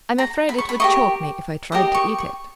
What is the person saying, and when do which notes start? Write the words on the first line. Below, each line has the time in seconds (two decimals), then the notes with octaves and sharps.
"I'm afraid it would choke me if I tried to eat it."
0.18 A#5
0.49 B5
0.58 C#6
0.69 B5
0.80 G4 A#4 D#5 C#6
1.72 G4 A#4 D#5 D#6
1.94 C#6
2.18 C#6